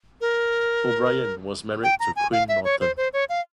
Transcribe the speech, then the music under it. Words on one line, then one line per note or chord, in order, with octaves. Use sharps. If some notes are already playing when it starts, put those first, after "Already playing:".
O'Brien was married to Quinn Norton.
A#4
G5
A#5
G#5
F5
E5
C#5
C5
C5
C#5
F5